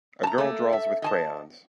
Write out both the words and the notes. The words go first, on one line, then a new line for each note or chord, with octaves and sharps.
A girl draws with crayons.
A5 A#5
A3 A#3
E5
D#5 G#5 A5